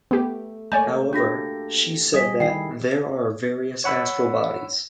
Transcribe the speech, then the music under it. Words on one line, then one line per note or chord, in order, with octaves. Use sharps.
However, she said that "there are various astral bodies".
A3 B3 G4
A3 A#3 C#5 D5 G#5 G6
D4 F#4 G4 A4 A#6
G3 G#4 D#5 D#6 B6
D#3 E4 G5 C7
C#5 F#5 B5 E6